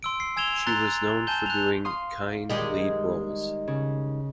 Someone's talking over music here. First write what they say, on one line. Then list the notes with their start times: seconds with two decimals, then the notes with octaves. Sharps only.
She was known for doing kind lead roles.
0.03 C6 E6 D7
0.20 C7
0.36 G#5 E6 G#6 E7 F7 G7
0.66 A#5 C6 F#6 A6 F7 G7
1.27 G#5 A5 G6 G7
1.46 F#6 F7
1.85 F5 C6 D#6
2.50 D#3 G3 G#3
3.67 C#3